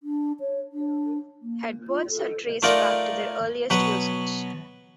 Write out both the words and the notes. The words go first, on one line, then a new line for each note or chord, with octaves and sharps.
Headwords are traced back to their earliest usage.
D4
C#5
D4
A#3
F4
A4
A3 D#4 F4 A#4 D5 F#5
B2 F#3 B4 F#5